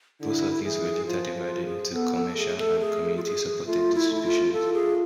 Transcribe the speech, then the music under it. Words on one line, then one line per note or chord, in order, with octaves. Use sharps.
Both of these were later divided into commercial and community-supported distributions.
D3 E4
E3 G#4
F3 F4
F4
G#4
B3 A4
A4
A3 G#4
A4
G#4
F4
G#4
A3 F4
E4
A3
E4
F4
F4 A4
G#4